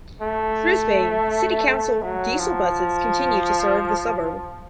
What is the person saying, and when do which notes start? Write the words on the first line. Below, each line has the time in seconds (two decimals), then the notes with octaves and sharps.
Brisbane City Council diesel buses continue to serve the suburb.
0.22 A3
1.67 A3
2.03 F#3
2.39 F3